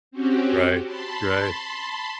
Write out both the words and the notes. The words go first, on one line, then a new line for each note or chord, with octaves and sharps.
Right, right.
C4 C#4 F#4 G4
A5 B5 C6